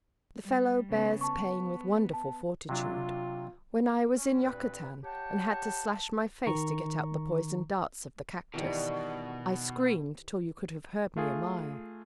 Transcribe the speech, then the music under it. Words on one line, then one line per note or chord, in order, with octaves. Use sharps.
The fellow bears pain with wonderful fortitude. When I was in Yucatan, and had to slash my face to get out the poisoned darts of the cactus, I screamed till you could have heard me a mile.
G3
C#3 B3
B3 A5 C#6
A5
C3 F#3 D4 F4
C#4
G2 A#2 C4 B4
G4 C#5 F#5 G5 A5
D#3 A#5 C#6
B2 D#3 E3 G3
A3 F4 G#4